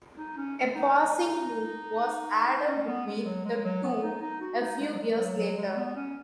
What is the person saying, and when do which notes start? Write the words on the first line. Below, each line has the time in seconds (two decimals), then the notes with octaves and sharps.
A passing loop was added between the two a few years later.
0.18 D#4
0.37 C#4
0.75 D#4
2.48 D#4
2.68 C#4
2.88 B3
3.07 G#3
3.26 F#3
3.45 G#3
3.65 F#3
3.84 B3
4.03 D#4
4.22 D#4
4.41 F#4
4.60 D#4
4.81 G#3
4.94 F#3
4.99 G#3
5.18 F#3
5.38 F#3
5.57 G#3
5.76 B3
5.96 C#4